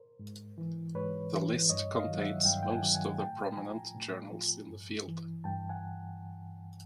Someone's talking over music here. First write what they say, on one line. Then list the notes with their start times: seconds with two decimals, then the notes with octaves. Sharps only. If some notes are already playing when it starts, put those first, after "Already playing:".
The list contains most of the prominent journals in the field.
Already playing: A#4 C5
0.19 G#2
0.58 E3
0.95 G#2 B4 C#5
1.33 E3
1.69 G2 C#5 D#5
1.95 D#5 F5
2.07 D#3 F#3
2.19 E5 F#5
2.45 G2 F5 G5
2.63 G5
2.70 F#5 G#5
2.82 D#3 F#3
2.94 F#5 G#5
3.19 A2 G5 A5
3.57 F3 G#5 A#5
3.95 A2
4.32 F3
4.69 G2
5.07 E3
5.44 G2 G5 A5
5.69 F#5 G#5